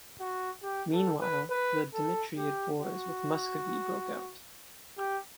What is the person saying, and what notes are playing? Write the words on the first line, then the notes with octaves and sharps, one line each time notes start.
Meanwhile, the Dimitriad wars with Muscovy broke out.
F#4
G4
A4
B4
B4
A4
G4
F#4
G4